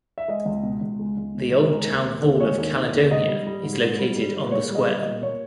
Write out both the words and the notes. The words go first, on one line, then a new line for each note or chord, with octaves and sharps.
The Old Town Hall of Caledonia is located on the square.
E5
G#3 D#5
C#2
B2
C#2
G#3
C#2
B2
C#2
G#3 A#4
D#2
D#3
D#2
G#3 C#5
D#2
D#3
D#2
G#2 D#5
G3
G3
G#2
G#2
G3
G3
G#2
B4
A#2 C#5
G3
D#5
G3
D#5
A#2
A#2 C#5